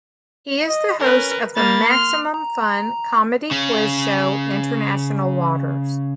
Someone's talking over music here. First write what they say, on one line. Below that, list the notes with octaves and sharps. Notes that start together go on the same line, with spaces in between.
He is the host of the Maximum Fun comedy quiz show International Waters.
D#5
C#4 A#4 B4
A#3 B5 A6
C6 F6
A#5
C#3 C#4